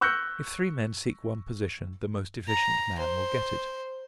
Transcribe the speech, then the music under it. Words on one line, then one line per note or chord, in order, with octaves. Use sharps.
If three men seek one position, the most efficient man will get it.
C#6 E6 F#6 G6 A#6 C#7
A#5
C5